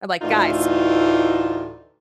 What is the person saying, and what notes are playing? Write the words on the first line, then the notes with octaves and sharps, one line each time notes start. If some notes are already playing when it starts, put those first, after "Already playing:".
I'm like, "Guys,
D2 A2 D3 E3 D#4 F4